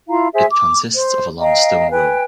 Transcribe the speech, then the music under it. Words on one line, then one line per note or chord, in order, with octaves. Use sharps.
It consists of a long stone row.
E4 F4 F5 A#5
G#4 C5 E5 G#5
D6
C5
D#5 F5 G5 A#5
B4 G5 G#5